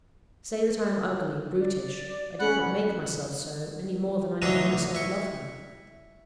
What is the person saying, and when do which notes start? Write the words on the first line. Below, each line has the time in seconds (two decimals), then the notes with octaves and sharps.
Say that I am ugly, brutish; I did not make myself so, any more than I made myself love her.
1.60 D5
2.40 C#4 F#5 B5
4.42 D3 E3 F#3 A3 D4 D#4
4.95 E4 C#6